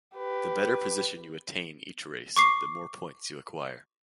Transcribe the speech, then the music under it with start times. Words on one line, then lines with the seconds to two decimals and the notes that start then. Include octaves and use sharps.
The better position you attain each race, the more points you acquire.
0.16 G4 B4
2.36 C#6 D6 C7